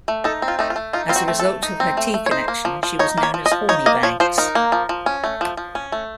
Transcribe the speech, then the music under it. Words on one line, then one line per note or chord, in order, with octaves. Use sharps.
As a result of her tea connection, she was known as "Hornibags".
A3
D#4 A4
C4
F4
A3 D#4
F4
A3
D#4 F4
C4 F4
F#4
A3
A4
A3
D#4
C4
A3
A3
C#5
D#4 C5
A#3
F3
F3
D#4 C#5
A#3
C#5
F3
D#5
F3
D#4 C#5
A#3 D#5
F3 C#5
F3 C5
D#4 A#4
A#3
F3
F3
C#4
A3
F3
F3
C#4
A3